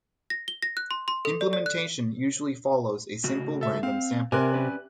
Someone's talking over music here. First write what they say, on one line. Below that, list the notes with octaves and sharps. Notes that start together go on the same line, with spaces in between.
Implementation usually follows a simple random sample.
A#6
G7
A#6
F#6
C6
C6
A4
D5
D5
F#6
A2 C#3 F#4
A4 E5
C4 F5
C3 A#4 D5 G#5 F#6
C#4 B4 D5